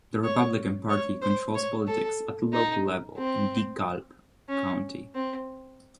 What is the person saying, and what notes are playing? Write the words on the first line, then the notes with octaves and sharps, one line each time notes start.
The Republican Party controls politics at the local level in DeKalb County.
C#5
C#5
C5
C#5
A4
D#4
C4
C#4
C4